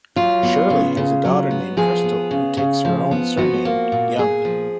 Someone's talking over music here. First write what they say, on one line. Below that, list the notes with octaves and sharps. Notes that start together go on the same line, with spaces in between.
Shirley has a daughter named Krystal who takes her own surname, Yeung.
F#3 F4
B3
C#3
C#3
F#3
B3
F3 G#4
B3
C#3
C#3
F3
B3
F3 F#4
A#3
A#2
A#2 G#4
F3